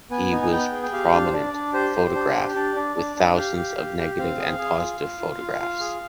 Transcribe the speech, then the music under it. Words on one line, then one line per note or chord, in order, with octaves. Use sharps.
He was a prominent photograph, with thousands of negative and positive photographs.
B3 G#5
D#4
G#5
B3 G5
G#4
G5
G4 F5
D4
C5
D4 D5
D4
G4 C5
G4
D4
G4
D4 D5
D4
D4
D4
G4 F5
G4
G4
G4
C4 F5
G#4
G#4
F4
F4
F4
F4
F4
G#4